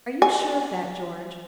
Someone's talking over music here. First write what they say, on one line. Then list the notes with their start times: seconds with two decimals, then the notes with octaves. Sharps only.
"Are you sure of that, George?"
0.22 G#5